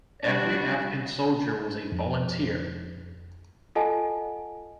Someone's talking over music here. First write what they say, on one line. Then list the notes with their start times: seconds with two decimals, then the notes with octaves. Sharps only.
Every African Soldier was a volunteer.
0.23 G3 D4 F#4
1.92 F2
3.75 F4 A4 D#5 F#5 G#5 A5